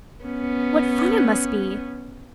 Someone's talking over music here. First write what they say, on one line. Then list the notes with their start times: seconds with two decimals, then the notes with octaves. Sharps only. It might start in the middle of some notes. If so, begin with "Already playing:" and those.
"What fun it must be!"
0.25 B3 C#4